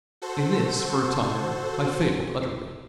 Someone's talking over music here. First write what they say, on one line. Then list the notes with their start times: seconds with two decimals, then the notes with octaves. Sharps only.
In this, for a time, I failed utterly.
0.22 F#4 A4 C5